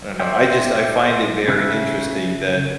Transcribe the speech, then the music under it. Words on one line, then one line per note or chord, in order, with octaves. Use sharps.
I don't know, I just I find it very interesting that
C5 D5 E5 G5
C#3 E5 F#6